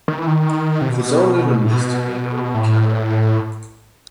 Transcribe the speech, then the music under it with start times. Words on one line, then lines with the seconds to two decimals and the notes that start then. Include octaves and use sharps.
It was only released to radio in Canada.
0.08 D#3
0.18 E3
0.27 D#3
0.81 C3
0.90 B2
1.64 A2
1.73 B2
2.55 A2